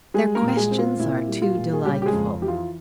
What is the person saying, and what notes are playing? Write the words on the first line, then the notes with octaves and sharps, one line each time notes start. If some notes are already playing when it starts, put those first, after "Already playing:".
Their questions are too delightful!
G3 G#3 G#4
A#3 A#4
A#2
G#3 G#4
C4
F4
A#2 E4
G3
F4
A#2
G#4
C#3 G3 G4
G4
G#3 G#4
F2
E3 G4
F4